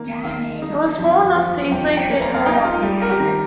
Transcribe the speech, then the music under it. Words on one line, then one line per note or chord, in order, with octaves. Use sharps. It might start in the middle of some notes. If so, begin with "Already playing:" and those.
It was small enough to easily fit in an office.
Already playing: D#3 A#3
D#3 F5
D#4
F2
F3
F2 G5
G5
A#3
A#5
F5
D#4 G5
F4
G3 G4
A#4
G4
D#3 A#4